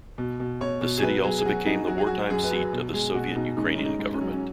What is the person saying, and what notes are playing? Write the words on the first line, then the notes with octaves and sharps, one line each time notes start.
The city also became the wartime seat of the Soviet Ukrainian government.
B2
B2
B2 C#5
B2
G#4
F#3 B4
F#3 G#4
G#4
F#3 F#4
F#3 D#4
F#3 F#4
G#4
F#3 F#4
F#2 G#4
B4
F#3 G#4
B2
G#3 G#4
B2 F#4
B2 D#4
G#2 D#4
C#4
D#4
G#2
D#4
G#2
C#4
F#3
C#4